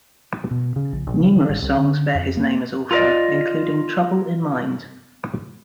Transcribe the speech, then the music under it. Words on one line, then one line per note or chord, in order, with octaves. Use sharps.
Numerous songs bear his name as author, including "Trouble in Mind".
B2
C#3
A#1
A#1
C#3
D#3
G#1
C2
D3
F2
A#3
F4 A4 A#4 D5 D#5